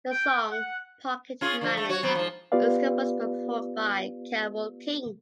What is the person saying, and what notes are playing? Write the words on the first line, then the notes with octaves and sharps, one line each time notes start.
The song "Pocket Money" is composed and performed by Carole King.
G5
F#5
C#4 F4 G#4
D3 F3
A3
F#4 C#5
F#3 B3 C4
G#2 F3
B3 F4 G4 B4 D5 F5